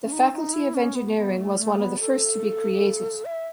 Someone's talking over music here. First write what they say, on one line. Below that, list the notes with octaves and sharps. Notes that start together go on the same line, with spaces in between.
The Faculty of Engineering was one of the first to be created.
C#4
D#4
D#4
E4
C#4
B3
B3
A3
A3
B3
A4
E5